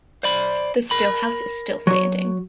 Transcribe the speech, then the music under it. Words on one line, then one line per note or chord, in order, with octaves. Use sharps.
The stillhouse is still standing.
C5 D5 B5
A#4 B5
F#3 C#5